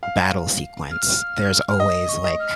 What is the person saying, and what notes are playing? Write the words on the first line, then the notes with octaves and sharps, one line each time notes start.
battle sequence, there's always, like,
F5
F6
F6
D#5 D#6
C#6
D#5
F6